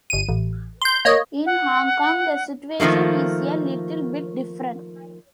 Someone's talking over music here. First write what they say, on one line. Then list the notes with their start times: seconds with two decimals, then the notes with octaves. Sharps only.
In Hong Kong, the situation is a little bit different.
0.10 G1 D#7
0.29 A1
0.82 C6 G6
1.05 A#3 C#5 D#5
1.46 F#5
2.80 D#3 F3 F#3 A3 A#3